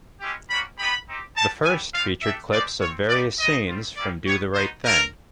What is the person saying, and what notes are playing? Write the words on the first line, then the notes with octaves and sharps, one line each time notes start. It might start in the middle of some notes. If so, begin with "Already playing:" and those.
The first featured clips of various scenes from "Do the Right Thing".
G#3 C#4 E4 G4
G3 A#3 C#4 F#4 B5
B3 D#4 G4 B5
C4 D#4 G4
G3 B3 D#4 A5
G3 B3 E4 G4 G#5
G3 C4 F4 F5
A3 D4 G4 E5
G#3 C4 D#4 G4 D5
C4 F4 C#5
B3 D#4 G4 D5
G#3 B3 D#4 D#5
G3 C4 F4
A#3 C#4 E4 G4 D5
B3 E4 G4 C#5
B3 D#4 F#4 C5
A3 D4 F4 A#4